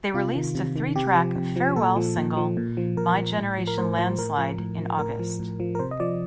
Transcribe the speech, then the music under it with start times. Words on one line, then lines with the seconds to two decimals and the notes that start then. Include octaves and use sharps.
They released a three-track 'farewell' single, "My Generation Landslide" in August.
0.14 C3 F4
0.35 D#3
0.55 C3
0.76 D#3
0.96 C3 G4
1.15 F3
1.36 C3
1.56 F3
1.76 A#2 A4
1.96 F3
2.17 A#2
2.37 F3
2.57 A#2
2.77 F3
2.97 A#2 A#4
3.17 F3
3.38 A2
3.58 F3
3.67 A#4
3.78 A2 C5
3.98 F3 C5
4.18 A2 A#4
4.38 F3
4.58 A2
4.79 F3
4.99 A2 A#4
5.19 F3
5.39 A2
5.60 F3
5.75 A#4
5.79 C3 C5
5.91 D#5
6.00 F3 D5